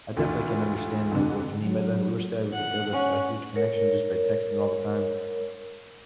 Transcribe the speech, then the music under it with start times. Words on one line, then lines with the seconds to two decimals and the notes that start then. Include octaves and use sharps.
I definitely can understand, like, what you mean by that, we were still able to build a f a huge connection just by texting all the time.
0.17 D2 E3 E4 F4
1.12 F2 D3
1.62 F#3
2.53 F#5
2.93 C#4
3.56 A#4 C#5